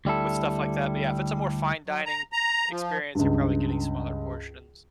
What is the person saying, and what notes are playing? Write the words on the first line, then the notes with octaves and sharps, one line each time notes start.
with stuff like that, but yeah, it's a more fine dining experience, you're probably getting smaller portions.
D2 G3 E4 A4
F#3
A#5
A#5
F3
C#2 G2